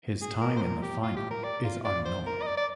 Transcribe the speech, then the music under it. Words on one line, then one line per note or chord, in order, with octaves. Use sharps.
His time in the final is unknown.
G#4
A#4
C5
A#4
G4
F4
G4
A#4
D5
F4
D5
C5
A#4
D#5
D5
D5